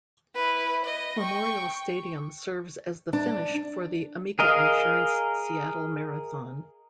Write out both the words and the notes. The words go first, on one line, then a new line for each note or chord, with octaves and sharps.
Memorial Stadium serves as the finish for the Amica Insurance Seattle Marathon.
E4 B4
D#5
G5 C#6
D4
G#4 A#4 D#5 F5